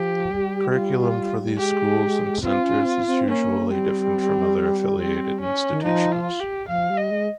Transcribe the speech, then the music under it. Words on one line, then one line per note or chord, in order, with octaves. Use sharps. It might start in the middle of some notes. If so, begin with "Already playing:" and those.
Curriculum for these schools and centers is usually different from other affiliated institutions.
Already playing: F3 G4
G3
F4
F4
G#3 G4
C4 F4
C#4
C4
C4
A#3 C#4
G3 C4
C4
C#4
D#3
F3 D#4
F4
G4
F3 F5
G3
D#5
G#3